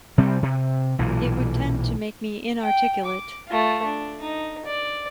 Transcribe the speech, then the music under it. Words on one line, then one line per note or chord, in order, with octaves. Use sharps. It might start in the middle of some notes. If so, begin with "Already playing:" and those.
It would tend to make me inarticulate.
C3 G3 C4
C3
B1 A#2 E3
G5
D6
A3 F4
D4
D#4
D5